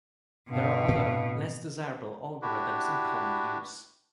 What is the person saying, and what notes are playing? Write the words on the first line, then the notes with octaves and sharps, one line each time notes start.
There are other, less-desirable algorithms in common use.
G2 B2
A2 C4
D4 E4 F#4 G4 B4